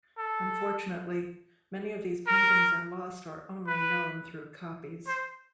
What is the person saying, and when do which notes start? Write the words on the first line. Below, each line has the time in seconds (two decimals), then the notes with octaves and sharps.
Unfortunately, many of these paintings are lost or only known through copies.
0.18 A4
2.27 A#4
3.67 B4
5.07 C5